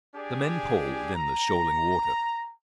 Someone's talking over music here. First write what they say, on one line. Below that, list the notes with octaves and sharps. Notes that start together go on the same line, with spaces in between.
The men poled in the shoaling water.
D4 G4 G#4 D5 G#5
A#5